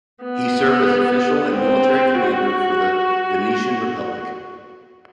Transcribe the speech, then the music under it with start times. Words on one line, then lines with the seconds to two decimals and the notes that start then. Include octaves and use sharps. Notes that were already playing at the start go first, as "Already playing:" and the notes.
He served as official and military commander for the Venetian Republic.
0.24 B3
1.51 C4
2.14 F#4